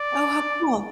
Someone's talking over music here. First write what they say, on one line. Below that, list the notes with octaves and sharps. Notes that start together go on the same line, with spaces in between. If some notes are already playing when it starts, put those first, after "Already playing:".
Oh, how cool.
Already playing: D5